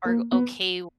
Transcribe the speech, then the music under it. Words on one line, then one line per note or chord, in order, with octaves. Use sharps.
are okay with
A#3
B3